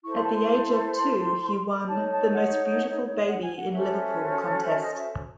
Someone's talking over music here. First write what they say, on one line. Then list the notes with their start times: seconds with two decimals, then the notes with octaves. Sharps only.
At the age of two he won 'The Most Beautiful Baby in Liverpool' contest.
0.02 E4 A4 C5 C#6
0.13 C6
0.23 A5
0.33 C6
0.95 C6
1.87 D#4 A4 C#5 A5
2.10 A5
2.33 F#5
3.26 F#5
3.41 G#5
3.57 F#5
3.72 C#4 F#4 A4 C5 E5
4.64 E5
4.80 D#5
4.95 E5